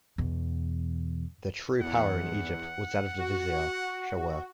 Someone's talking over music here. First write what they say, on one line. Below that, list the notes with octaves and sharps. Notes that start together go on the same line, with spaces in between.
The true power in Egypt was that of the vizier, Shawar.
E2 B2
E2 F#5
F#4